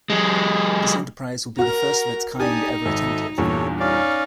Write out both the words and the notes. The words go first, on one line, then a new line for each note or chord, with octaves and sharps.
This enterprise will be the first of its kind ever attempted.
F#3 G#3
F#4 A#4 A#5 F6
D4 D#4 G4 G#5 A5 D#6
G#1 A4 D#5 E5
E2 G2 A#2 A4 C#5
C#4 D#4 D5 F5